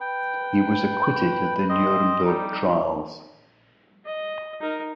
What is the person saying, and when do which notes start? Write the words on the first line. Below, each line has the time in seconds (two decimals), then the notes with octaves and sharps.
He was acquitted at the Nuremberg trials.
0.01 B4 G5
1.69 C4 D#5
2.25 G3 D#4
4.06 D#5
4.61 D#4 A#4